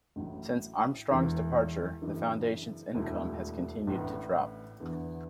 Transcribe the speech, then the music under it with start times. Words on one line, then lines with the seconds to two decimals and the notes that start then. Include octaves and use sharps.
Since Armstrong's departure, the foundation's income has continued to drop.
0.16 A1 A2 F#3 A3 E4
1.09 E1 E2 E3
2.02 F#1 F#2 E3 D4
2.95 E1 D2 D3 A3 E4
3.87 A1 A2 E3 B3 D4
4.80 E2 D3 B3 E4